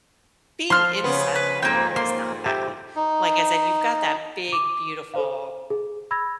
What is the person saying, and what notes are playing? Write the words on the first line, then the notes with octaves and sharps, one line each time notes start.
being inside the library is not bad. Like I said, you've got that big, beautiful
F3 A5 C6 F6
C#3 B3
B4
F2 G#2 A#3 G5
A#3 C6
G4 E5
D#4
D6 D#7
A4 C5 F5
G#4
B5 E6 G#6 A#6